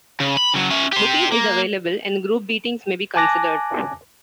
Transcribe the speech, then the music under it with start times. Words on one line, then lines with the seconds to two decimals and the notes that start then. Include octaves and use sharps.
Booking is available and group beatings may be considered.
0.20 C#3
0.37 B5
0.54 C#3 F#3
0.70 C#4 E5
0.93 G4 C5
1.32 A#3
3.16 G#5 A5 D6 F#6 A#6